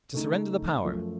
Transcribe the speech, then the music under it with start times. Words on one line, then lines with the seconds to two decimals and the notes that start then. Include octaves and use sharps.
To surrender the power.
0.14 C#3 A3 D#4
0.84 F#2 F3 A3